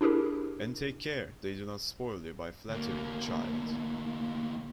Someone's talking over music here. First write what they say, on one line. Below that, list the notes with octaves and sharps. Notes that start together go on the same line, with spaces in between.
And take care they do not spoil you by flattery, child!
D4 E4 G4 G#4 A#4
D2 A#3